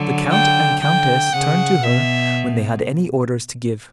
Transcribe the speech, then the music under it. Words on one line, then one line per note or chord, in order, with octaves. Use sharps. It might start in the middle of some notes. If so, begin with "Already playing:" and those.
The count and countess turned to her when they had any orders to give.
Already playing: D3 F#3
G5
D3 G5
C#3 F#5
B2 E5